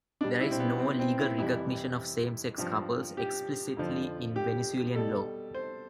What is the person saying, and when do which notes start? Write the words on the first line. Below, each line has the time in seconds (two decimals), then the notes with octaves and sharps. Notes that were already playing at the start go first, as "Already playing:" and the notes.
There is no legal recognition of same-sex couples explicitly in Venezuelan law.
0.21 B2 D4
0.24 G3
0.41 E4
0.51 C4
0.60 B3
0.79 C4
0.99 C4
1.19 E4
1.38 F2 C3 E3 G3 E4
2.58 G2 F3
3.17 G4
3.77 F2 D3 F3
4.36 G4
4.95 B2 G3 A4
5.55 C5